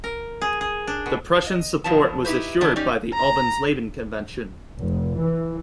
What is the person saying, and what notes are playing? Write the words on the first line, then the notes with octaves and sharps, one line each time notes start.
The Prussian support was assured by the Alvensleben Convention.
A#4
G#4
G#4
D4
B2
D#5
B2 F3 F#3 B3 A5
D#4 E4 G4 G#4 B4 C5
D3 D#3 F#3 A3 B3 D4
C#4 D#4 G4 D5
A#5
F1
E3